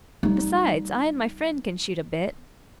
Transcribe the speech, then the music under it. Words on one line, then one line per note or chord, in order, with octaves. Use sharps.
Besides, I and my friend can shoot a bit.'
G3 D#4